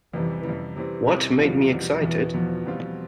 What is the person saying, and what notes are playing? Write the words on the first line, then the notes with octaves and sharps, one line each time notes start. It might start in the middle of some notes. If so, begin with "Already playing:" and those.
What made me excited?
F2 C3 E3 G3
F2 C3 G3
C3 E3 G3 C4
C3 E3 G3 C4
E2 B2 F3 G3
E2 B2 G3
E2 B2 E3 B3
E2 B2 F3 B3
E2 B2 G3 C4 F4